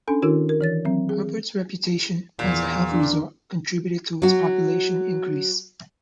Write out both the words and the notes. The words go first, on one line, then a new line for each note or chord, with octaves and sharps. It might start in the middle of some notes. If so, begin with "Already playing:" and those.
Hubbard's reputation as a health resort contributed to its population increase.
C#4 D4 A4 G#5
D#3 D4 E4 F#4 A#4
A#4
E3 C#5 A6
F#3 C4
G#4
E2 A#2
D4
F#3 F#4